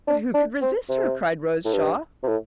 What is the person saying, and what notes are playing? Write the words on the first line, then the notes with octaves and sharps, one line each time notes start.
"But who could resist her?" cried Rose Shaw.
D4
D4
C4
C3
A2
G2
C3
A2